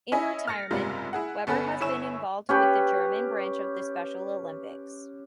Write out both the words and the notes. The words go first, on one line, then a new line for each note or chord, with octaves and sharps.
In retirement, Weber has been involved with the German branch of the Special Olympics.
C#4 E4 D#5 E5 G#5
F6 A6 A#6 C#7
F#1 G#2 C3 G3 F4
E4 G#4 F#5
G1 B3 C#4 A4 B4
G1 E4 C#5 G#5 E6 E7
C#4 G4 B4